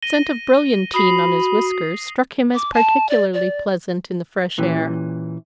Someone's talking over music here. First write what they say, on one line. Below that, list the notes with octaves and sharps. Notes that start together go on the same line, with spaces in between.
The scent of brilliantine on his whiskers struck him as particularly pleasant in the fresh air.
A#6 D#7 G7
F#4 B5 D#6 C7
D6
A5
D5
D5
A#2 E3 C#4 G4